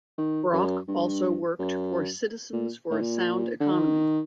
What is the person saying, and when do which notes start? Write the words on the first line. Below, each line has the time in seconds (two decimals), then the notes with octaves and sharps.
Brock also worked for Citizens for a Sound Economy.
0.18 D#3
0.53 F#2
0.88 G2
1.59 F#2
2.53 A#2
2.91 A2
3.00 A#2
3.60 D3
3.71 D#3